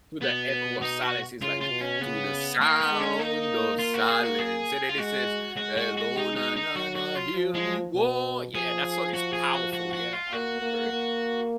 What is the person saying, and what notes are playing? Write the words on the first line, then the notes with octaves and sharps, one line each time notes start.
to the echo of silence, he's like, "To the sound of silence." And then he says, "Hello na na na, hear me war." Yeah, that song is powerful, yeah, I remember.
B2 B3
D#4
F#4
C#3 F4
F4
B2
C#4
C#3 B3
A#3
B3
G#3
C#4
A#3 D#4
F4
F#4
G#4
F#4
G#4
F4
G#3 F#4
G#3 F#4
F#4
F#4
D#4
D#4
D#4
F#3 F#4
F#4
F4
F3
G#3
B2
F3 G#4
F#4
G#4
F#4
F#4
F#4
F4
A#3 F#4
A#3
A#3